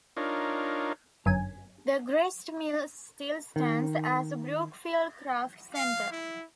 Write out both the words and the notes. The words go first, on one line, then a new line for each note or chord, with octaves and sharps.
The grist mill still stands, as the Brookfield Craft Center.
D4 D#4 F4 A#4 C#5
G1 F#2 G#5
D#3
F5
E4